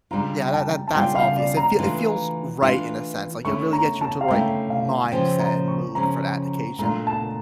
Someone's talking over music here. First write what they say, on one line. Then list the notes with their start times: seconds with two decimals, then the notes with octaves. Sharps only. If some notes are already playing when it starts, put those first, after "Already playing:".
Yeah, that that that's obvious. It fee it feels right in a sense, like, it really gets you into the right mindset and mood for that occasion.
0.11 C#3 G3 D4 F4 A#5
0.48 G5
0.53 A5
0.88 A5
0.94 C#3 G3 D4 F4 G5
1.15 F5
1.36 D5
1.57 A#5
1.78 E3 A3 D4 F4
2.62 E3 A3 D4 F4
3.45 D3 A3 C#4 E4 C#6
3.73 A#5
4.01 A5
4.21 F5
4.28 D3 A3 C#4 E4 G5
4.70 F5
5.11 C#3 F3 C#4 G5
5.40 A#5
5.68 C#6
5.95 C#3 F3 C#4 A#5
6.78 A#2 A3 D4 F4 A#5
7.07 A5